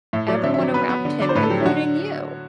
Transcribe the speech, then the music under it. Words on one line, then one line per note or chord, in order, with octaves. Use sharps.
everyone around him, including you.
A2 E5
F#3 D5
D3 E5
E5
F#3
D5
B3 B4
B3
D3
D3 D5
C5
A2 B4
A4
F#3 G4
E4
D3 F#4